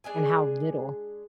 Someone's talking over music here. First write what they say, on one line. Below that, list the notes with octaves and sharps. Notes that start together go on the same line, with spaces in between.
And how little.
G#3 D4 G#4 G#5